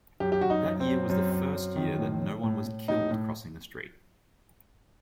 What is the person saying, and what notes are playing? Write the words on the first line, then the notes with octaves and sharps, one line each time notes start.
That year was the first year that no one was killed crossing the street.
F#2 G4
G4
F#2 F#4
D#4
F#2
C4
F#2
F#2
F#2
F#2
D#3
A2
A2
A2
A2
A2 D#4
A2